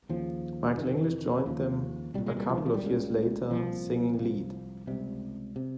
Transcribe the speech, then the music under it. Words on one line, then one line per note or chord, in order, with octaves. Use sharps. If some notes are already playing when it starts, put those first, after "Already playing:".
Michael English joined them a couple of years later singing lead.
D#2 C#3 F3
F2 C3 D#3
D#2 C#3 F3
C2 A#2 G3
G#3
G3
F3
D#3
F3
G3
C#2 C#3
C2 A#2 F3
C2 C3 F3
C#2 C3 G3
C3